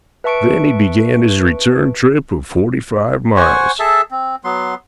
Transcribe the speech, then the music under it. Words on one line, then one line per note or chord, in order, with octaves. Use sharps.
Then he began his return trip of forty-five miles.
B4 E5 A5 C#6 C#7 D7
C5 F#5 G#5 C#6
G#4 A4 E5 A5
C4
F#3 B3 C6